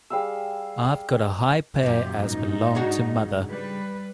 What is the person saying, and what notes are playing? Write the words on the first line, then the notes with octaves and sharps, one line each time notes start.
I've got a high pair as belonged to mother.
G3 G#4 F5 E6
F#2 A#2 G4
G#2 D#4
C#3 D4 F#4
G3 B4